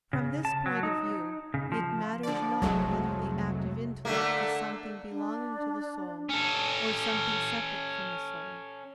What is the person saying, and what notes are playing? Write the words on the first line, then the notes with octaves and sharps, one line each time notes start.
From this point of view it matters not whether the active intellect is something belonging to the soul, or something separate from the soul.
C#3
A5
F#3
D#4
C#3
F3
D3 F3 D5
F1 C2 F#3 G#3 A3
D3 A3 A#3
D4
C#4 A4